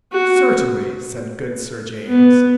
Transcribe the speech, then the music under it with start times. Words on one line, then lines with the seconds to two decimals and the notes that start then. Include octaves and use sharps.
"Certainly," said good Sir James.
0.12 F#4
2.08 B3